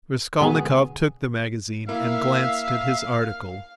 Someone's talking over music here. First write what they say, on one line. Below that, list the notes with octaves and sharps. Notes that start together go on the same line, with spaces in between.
Raskolnikov took the magazine and glanced at his article.
B2 D3 G#3 B3 G#4
A#3 E4 E5 F5